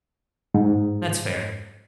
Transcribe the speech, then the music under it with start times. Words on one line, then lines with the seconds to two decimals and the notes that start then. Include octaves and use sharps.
That's fair.
0.54 G#2